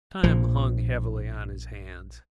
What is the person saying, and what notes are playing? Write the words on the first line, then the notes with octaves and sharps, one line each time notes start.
Time hung heavily on his hands.
A#1 A#2 F3